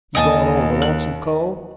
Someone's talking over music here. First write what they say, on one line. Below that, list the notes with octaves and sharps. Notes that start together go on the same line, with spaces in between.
"You goin' over to Lonesome Cove?"
D#2 D#5 G#5 A5
F#6